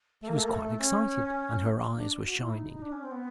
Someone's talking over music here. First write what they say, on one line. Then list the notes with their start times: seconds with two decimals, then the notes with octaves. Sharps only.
She was quite excited, and her eyes were shining.
0.21 A3
0.27 A#3
0.35 A3
0.42 A#3
0.51 A3
0.78 C#4
1.96 D4
2.24 F#4
2.39 E4
2.54 D#4
2.73 D#4
2.82 D4
2.92 C#4
3.02 C4
3.11 B3